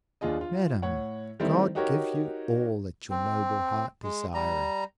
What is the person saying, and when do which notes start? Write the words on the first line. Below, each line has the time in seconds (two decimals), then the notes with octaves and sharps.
Madam, God give you all that your noble heart desireth!
0.21 D#2 D4 F4 G#4 D#5
0.41 F4
0.82 A2 C#5 F#5
1.40 D#3 G3 A3 C4 E4 C5
1.75 D#4 F#4 G4 A#4 C#5
3.10 C4
4.03 G#3
4.34 G3 A#5